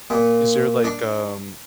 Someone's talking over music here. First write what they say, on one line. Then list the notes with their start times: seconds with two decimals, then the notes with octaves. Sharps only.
is there like, um,
0.10 A#2
0.84 D4